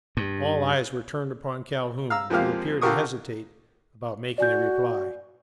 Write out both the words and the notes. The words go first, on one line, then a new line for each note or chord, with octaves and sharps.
All eyes were turned upon Calhoun, who appeared to hesitate about making a reply.
G2
F5 A#5 E6
F2 F3 G#3 A#3 G4 F5
D3 F4 G4 A#4 C#6 D#6
F#4 D5 G#5 G6